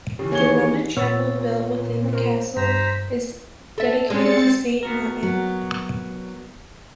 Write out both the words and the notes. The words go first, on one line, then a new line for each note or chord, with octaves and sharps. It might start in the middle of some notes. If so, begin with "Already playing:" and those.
The Roman chapel built within the castle is dedicated to Saint Martin.
C#3 E3 G4
D#2 E3 G#4 C#5 G7
A#2 B3 C#5 E6 A6
A#4 C5
G2 C5 A#5 B6
A4 E5
G3 G#3 C4 A6 C#7
B3 F#4 A#4
F#3